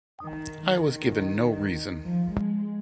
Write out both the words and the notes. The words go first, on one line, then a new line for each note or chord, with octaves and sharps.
I was given no reason.
D#3
D#3
F3
G#3